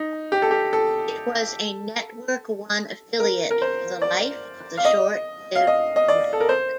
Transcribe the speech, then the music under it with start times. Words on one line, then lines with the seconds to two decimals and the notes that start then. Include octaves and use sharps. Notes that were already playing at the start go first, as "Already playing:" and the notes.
It was a Network One affiliate for the life of the short-lived network.
Already playing: D#4
0.32 G4
0.42 A4
0.51 G4
0.73 A4
3.20 A#4
3.51 A#4
3.62 C5
4.02 D5
4.77 F5
4.85 D#5
5.55 F5
5.67 D#5
5.96 D#5
6.08 D5
6.33 A4
6.40 A#4
6.49 C5